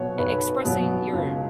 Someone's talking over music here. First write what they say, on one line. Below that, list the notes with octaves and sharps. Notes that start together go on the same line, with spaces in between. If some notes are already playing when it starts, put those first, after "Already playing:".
e expressing your
Already playing: B1 B2 F#3 B4 C#5
B1 B4
B2 F#3
C#2